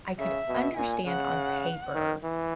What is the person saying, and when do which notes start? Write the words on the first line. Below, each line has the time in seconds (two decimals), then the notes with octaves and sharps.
I could understand on paper
0.19 C#3 E5
0.48 B2
0.77 A#2 G#5
1.07 C#3 F#5
1.94 D#3
2.24 E3